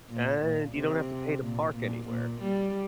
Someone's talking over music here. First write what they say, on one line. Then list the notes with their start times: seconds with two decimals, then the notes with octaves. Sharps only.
and you don't have to pay to park anywhere,
0.10 A#2
0.43 A#2
0.76 C3
1.42 A#2
1.76 A#2
2.08 A#2
2.42 G3